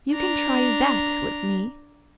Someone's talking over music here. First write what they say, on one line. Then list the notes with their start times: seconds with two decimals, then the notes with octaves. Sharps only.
You can try that with me.
0.11 D4 A#5